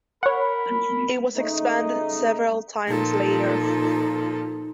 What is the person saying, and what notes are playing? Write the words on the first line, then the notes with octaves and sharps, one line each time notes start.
It was expanded several times later.
A#4 C#5 F#5 B5
C#3 A3 D#4
A#2 F3 D#4 A4